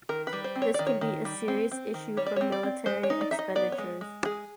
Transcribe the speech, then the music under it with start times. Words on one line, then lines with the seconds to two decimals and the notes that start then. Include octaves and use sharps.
This can be a serious issue for military expenditures.
0.09 D#3 A#4
0.27 B4
0.33 G3
0.44 C5
0.56 C4
0.62 C#5
0.74 D#3 D5
0.87 C#5
1.01 D#3
1.25 G3
1.48 C4
1.71 C4
1.94 D#3
2.17 G3 C#5
2.26 D5
2.36 C4 C#5
2.52 D5
2.63 C4
2.86 G#3 C5
3.03 C#5
3.10 D#4
3.21 D5
3.31 D#4 E5
3.39 D#5
3.55 B3 D5
3.72 C#5
3.78 G#3
4.01 G#3
4.25 G#3 G#4